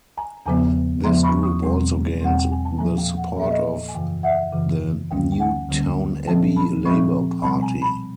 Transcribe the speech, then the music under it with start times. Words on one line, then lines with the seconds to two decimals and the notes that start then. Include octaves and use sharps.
This group also gained the support of the Newtownabbey Labour Party.
0.17 G#5 A#5
0.46 E2 C#3 F3 G#3 B3 G#5 A#5
1.04 E2 C#3 F3 G#3 B3 A#5 C6
1.23 B5 C#6
1.43 C#6 D#6
1.63 E2 B2 G3 C4
2.21 E2 B2 G3 C4 F#5
2.38 G5
2.52 G#5
2.65 A5
2.78 A#2 F3 A#3 G#5 A#5
2.97 F5 G5
3.17 F#5
3.28 F5
3.37 A#2 F3 A#3 E5
3.50 D#5 F5
3.88 G#5
3.94 F#2 C#3 E3 F5 G5
4.23 E5 F#5
4.53 F#2 C#3 E3
5.11 D2 D3 G3 A#3 C#4 F5 G5
5.32 G5
5.40 F#5 G#5
5.69 D2 D3 G3 A#3 C#4
6.27 A#2 F3 G#3 C4 G5 A5
6.56 A5 B5
6.85 A#2 F3 G#3 C4 B5 C#6
7.43 B2 G3 C4 A5 B5
7.62 G#5 A#5
7.82 A5 B5